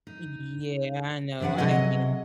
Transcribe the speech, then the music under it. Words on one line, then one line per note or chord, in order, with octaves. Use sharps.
Yeah, I know, no, I hate ‘em.
D#4
E3 G3 D4 B4 F#5
C3 F#3 G#4 D#5 F#5